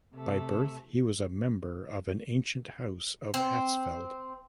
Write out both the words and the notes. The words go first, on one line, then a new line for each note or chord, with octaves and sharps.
By birth he was member of an ancient House of Hatzfeld.
C3 A3
C4